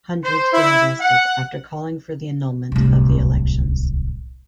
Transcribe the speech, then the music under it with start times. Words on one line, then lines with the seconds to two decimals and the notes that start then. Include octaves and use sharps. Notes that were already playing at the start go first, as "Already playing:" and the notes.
Hundreds were arrested after calling for the annulment of the elections.
0.23 C5
0.52 E4
1.00 F#5
2.72 D1 C2